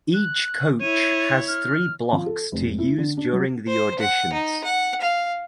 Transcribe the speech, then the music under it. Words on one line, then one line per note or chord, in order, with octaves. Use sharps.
Each coach has three blocks to use during the auditions.
F#6
E4 C#5 D#7
F6
F3
A4
F1
E4
D3
D4
F#3
C5
F#5
D#4
F#5
F5